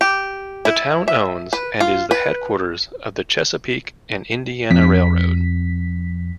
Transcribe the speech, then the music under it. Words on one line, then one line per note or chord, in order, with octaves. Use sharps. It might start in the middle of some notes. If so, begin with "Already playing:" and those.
The town owns and is the headquarters of the Chesapeake and Indiana Railroad.
G4
E4
E5
B4
F4
B4
F2 B6